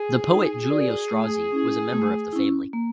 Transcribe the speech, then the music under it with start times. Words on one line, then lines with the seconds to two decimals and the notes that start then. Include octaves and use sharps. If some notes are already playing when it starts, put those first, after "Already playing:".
The poet Giulio Strozzi was a member of the family.
Already playing: G#4
0.29 D#4
0.70 F#4 A#4 D5
1.11 A3
1.52 C#4 E4
1.92 A3
2.33 C#4 E4
2.73 A#3